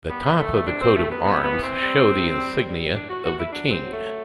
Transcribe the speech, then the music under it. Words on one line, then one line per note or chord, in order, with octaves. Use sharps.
The top of the coat of arms show the insignia of the King.
G3 B3
G3 A3
C3 D4
C4
C3 A3
B3
C3 B3
B3
E3
C4
G3
C3
G3
G3
A2 D4
F#4
A2 F#4
E4
F#3 D4
C4
F#3
A3